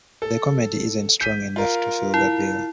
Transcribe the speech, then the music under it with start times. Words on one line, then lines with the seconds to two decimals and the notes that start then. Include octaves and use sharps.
The comedy isn't strong enough to fill the bill.
0.22 A4
1.21 G6 B6 D#7
1.56 F4 A#4
2.14 E4